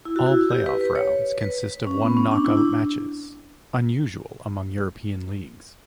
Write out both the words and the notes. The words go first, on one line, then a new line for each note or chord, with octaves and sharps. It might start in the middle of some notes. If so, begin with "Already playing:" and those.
All playoff rounds consist of one-off knockout matches, unusual among European leagues.
E4
F#4
E4
G4
B4
B4
C#5
B4
C#4
B3
C#4
D4
E4
D4